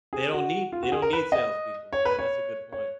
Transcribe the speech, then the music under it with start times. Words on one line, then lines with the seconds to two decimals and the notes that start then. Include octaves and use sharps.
they don't need they don't need salespeople. Yeah, that's a good point.
0.13 G#4
0.33 F#4
0.72 F4
0.83 F#4
0.92 G#4
1.02 A#4
1.13 B4
1.32 D#5
1.93 C#5
2.05 B4
2.19 C#5
2.72 C#5